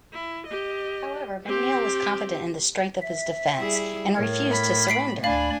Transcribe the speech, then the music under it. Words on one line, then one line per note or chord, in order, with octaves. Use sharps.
However, McNeil was confident in the strength of his defense and refused to surrender.
E4
G4 D#5
C4 G4
E5
G3 E4 G#4
A2 A#4 C#5
B5
B6 C7 D7
D2 D4 D5 F5 G#5 B5